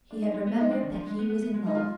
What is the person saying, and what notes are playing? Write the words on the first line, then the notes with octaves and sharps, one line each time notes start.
He had remembered that he was in love.
D4
D#4
G#3
B3
G#3 D#4
G#3 D4
D#3
F3
G#3
B3
B3
B3
G#3
D#4
F4